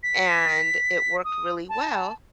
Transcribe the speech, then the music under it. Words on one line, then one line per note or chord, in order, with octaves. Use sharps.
and it worked really well.
B6
D#6
A5